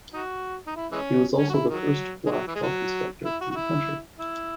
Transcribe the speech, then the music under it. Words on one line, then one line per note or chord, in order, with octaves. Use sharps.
He was also the first black health inspector in the country.
D#4 F#4
D#4
E4
E3 G#3 C#4
C#4
F#4
E4
D#3 F#3
G#3
F#3
E3
G#3
F#3
E4
F#4
F#4
E4
E4